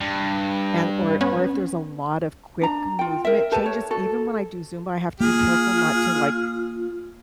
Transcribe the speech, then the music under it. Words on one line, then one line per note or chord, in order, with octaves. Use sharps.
And or or if there's a lot of quick movement changes, even when I do Zumba, have to be careful not to, like
G2
B3 C#4
D4 A#5
F4 G5
A#4 E5
G4 A4 B4 A5
C#5
F#4 A4
A#3 F4 G#4 F6